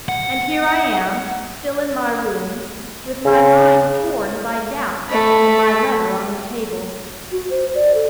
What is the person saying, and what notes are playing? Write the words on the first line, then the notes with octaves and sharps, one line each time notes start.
And here I am, still in my room, with my mind torn by doubts, and my letter on the table.
F#5
C#3
A3 B5
F#4
C5
D5
A4